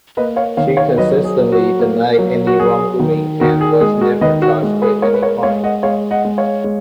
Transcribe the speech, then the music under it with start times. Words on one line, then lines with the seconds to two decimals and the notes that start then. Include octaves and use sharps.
She consistently denied any wrongdoing and was never charged with any crime.
0.17 A#3 B4 D#5
0.36 C#5 F5
0.57 D#3 C#5 F5
0.77 C#5 F5
0.97 F#3 B4 D#5
1.25 G#4
1.38 F#3
1.52 F#4
1.79 A#3
2.19 F#3
2.47 F#4
2.60 F#3 G#4
3.00 D#3
3.40 D#3 F#4 A#4
3.61 G#4
3.81 G#3 G#4
4.01 F#4 A#4
4.21 D#3 B4 D#5
4.42 F#4
4.62 G#3
4.82 G#4 B4
5.02 G#3 A#4 C#5
5.14 B4
5.23 A#4 C#5
5.43 G#3 C#5 F5
5.64 D#5 F#5
5.83 G#3 C#5 F5
6.11 D#5 F#5
6.25 G#3
6.38 C#5 F5
6.64 G#3